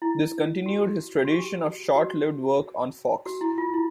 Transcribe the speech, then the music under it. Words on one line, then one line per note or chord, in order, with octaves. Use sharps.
This continued his tradition of short-lived work on Fox.
E4
F#4
F#4
G4
F#4
F#4
E4
F4
E4